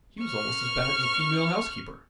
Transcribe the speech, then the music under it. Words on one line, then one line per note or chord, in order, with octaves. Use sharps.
He was almost as bad as a female housekeeper.
C#6 F6